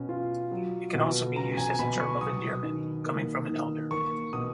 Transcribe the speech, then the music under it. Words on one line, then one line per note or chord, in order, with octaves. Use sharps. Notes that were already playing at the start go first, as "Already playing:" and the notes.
It can also be used as a term of endearment coming from an elder.
Already playing: B2 C#4
F4
F#3
B2
C#4 A#5
G#5
B2 B5
C#6
F#3 D#6
D#3
A#3
D#3
A#3 C#6
B2 D#6